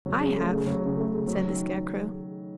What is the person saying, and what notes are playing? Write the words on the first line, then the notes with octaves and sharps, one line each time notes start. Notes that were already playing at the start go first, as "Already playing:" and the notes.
"I have," said the Scarecrow.
F#3
C#3
A3
C#3
F#3
C#3
A3
C#3
F#3
D#3